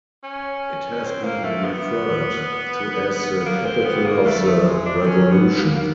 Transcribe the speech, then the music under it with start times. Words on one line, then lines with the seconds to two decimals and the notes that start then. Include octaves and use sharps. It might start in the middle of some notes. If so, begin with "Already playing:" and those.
It has been referred to as the Capital of the revolution.
0.23 C#4
1.04 C4
1.24 A#3
1.44 A3
1.64 B3
3.41 B3
3.45 A#3
3.65 C4
3.85 B3
4.06 A#3
4.26 A3
4.46 A3
4.65 G#3
4.86 D4
5.01 C4
5.06 C#4
5.32 B3
5.60 A#3
5.77 A#3